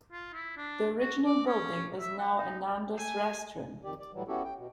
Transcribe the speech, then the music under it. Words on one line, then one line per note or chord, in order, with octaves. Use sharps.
The original building is now a Nando's restaurant.
F4
E4
D4
F#4
D5
C#4
E5
F#5
D#4
A3 G#5
F2 D#3 G4 D5
D5
A2 E3 F#3 G3
B3 C#4 E4 F#4 G4 A4
G5
B2